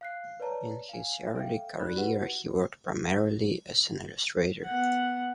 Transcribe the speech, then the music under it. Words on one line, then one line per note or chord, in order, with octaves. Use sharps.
In his early career, he worked primarily as an illustrator.
F5 F#6 C7
B4 C#5 D5 A5 A#5
F5 G#5
A4 E5 F5 G5
D#4 F#4 D5 B5 F#6
E4 F#4 G4 B4 F#5
B3 F#5